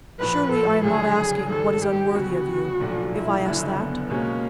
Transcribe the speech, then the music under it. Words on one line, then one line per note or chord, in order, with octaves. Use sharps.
"Surely I am not asking what is unworthy of you, if I ask that?"
A#1 A2 F3 B4
A4
F#1 F#2 D3 G#4
G#1 G2 D#3 G3 A4
G4
D2 C#3 F#3 B3 F#4
B1 A#2 F3 A3 D4
E4
F#1 F#2 D3
B3
B2 G#3 A#3 C#4